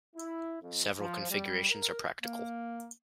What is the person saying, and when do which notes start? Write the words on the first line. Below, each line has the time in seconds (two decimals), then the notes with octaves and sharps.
Several configurations are practical.
0.16 E4
0.62 F2
0.99 F3
1.30 G3
1.70 A#4
2.22 A#3